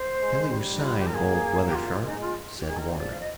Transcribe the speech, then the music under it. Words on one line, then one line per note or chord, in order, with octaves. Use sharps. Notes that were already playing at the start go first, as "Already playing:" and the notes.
"Tell your sign, old weather sharp," said Warner.
Already playing: C5
G#3
G3
D#4
F4
G4
A#4
A#3 G#4
G4
F4
G#3 D#4
F4
G4
D#3 G#4
A#4
C5
D#5
F3 D5
F5
D#5